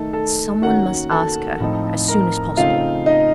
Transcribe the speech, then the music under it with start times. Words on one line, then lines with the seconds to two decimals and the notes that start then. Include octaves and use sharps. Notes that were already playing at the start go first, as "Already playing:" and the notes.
"Someone must ask her--as soon as possible!"
Already playing: D#3 A3 D#4 A4 A5
0.13 A4 A5
0.62 D#3 A#3 C#4 F#4 F#5
1.11 A4 A5
1.60 A2 F3 C4 D#4
2.08 A#4 A#5
2.57 C#3 A3 C4 D#4 F4 F5
3.06 D#4 D#5